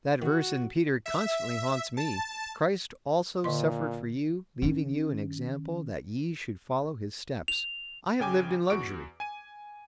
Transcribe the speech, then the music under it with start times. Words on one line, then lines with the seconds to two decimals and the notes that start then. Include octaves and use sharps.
That verse in Peter constantly haunts me: 'Christ also suffered for you, leaving you an example that ye should follow His steps.' I have lived in luxury.
0.22 D#3 F#4
1.06 E5
1.97 A5
3.44 A#2 D3 D#5 C6
4.62 D#3 C#4
7.48 F7
8.20 G1 C#3 G5 G#5 D6
8.70 E2 F#4 C#6 D7
9.20 G#5 D#7